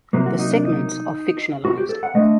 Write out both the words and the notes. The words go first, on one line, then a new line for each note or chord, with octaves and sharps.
These segments are fictionalized.
C3 F#3 A#3
F#4
D#4
D4
D#4
F#4
G4
A4
F#5
D3 A3 D#5